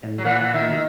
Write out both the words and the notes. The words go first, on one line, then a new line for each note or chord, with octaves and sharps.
And then,
F#3
E3 F#5
E3
D#3 E5
D#3